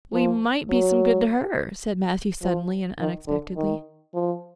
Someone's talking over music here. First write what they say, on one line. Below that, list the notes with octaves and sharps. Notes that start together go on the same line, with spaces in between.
"We might be some good to her," said Matthew suddenly and unexpectedly.
F3
F#3
F3
D#3
D3
D#3
F3